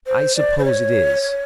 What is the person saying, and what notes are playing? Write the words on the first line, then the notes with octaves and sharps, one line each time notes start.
I suppose it is.
C5
D5
C5
C#5
C#5